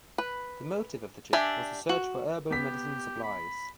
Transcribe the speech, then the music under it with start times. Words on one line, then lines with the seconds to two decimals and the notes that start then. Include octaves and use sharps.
The motive of the trip was to search for herbal medicine supplies.
0.18 B4
1.33 D4 G4 E5 G#5
1.89 F#4
2.51 B3 G4 B6
3.24 B5